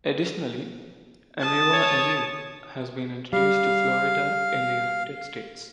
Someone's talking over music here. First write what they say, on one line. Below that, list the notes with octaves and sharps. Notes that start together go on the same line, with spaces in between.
Additionally, "Ameiva ameiva" has been introduced to Florida in the United States.
A5 D#6
C#5
G3 F5